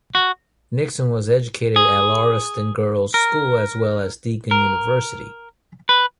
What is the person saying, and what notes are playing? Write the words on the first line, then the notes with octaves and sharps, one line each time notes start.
Nixon was educated at Lauriston Girls' School as well as Deakin University.
F#4
G#4
A#4
A#4
B4